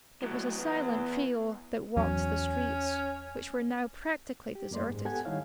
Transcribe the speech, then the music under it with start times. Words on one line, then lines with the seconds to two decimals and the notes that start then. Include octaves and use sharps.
It was a silent trio that walked the streets, which were now practically deserted.
0.22 A2 F#3
0.58 E2 B3
1.97 E2 F#3 C#4
4.55 G4
4.71 F#2 A#3 D5 C6
4.86 G#2 G#3
5.05 B3 G4 A4 F#5 G#5 G#6
5.25 D#3 G3 D#4 E4 C#5 F5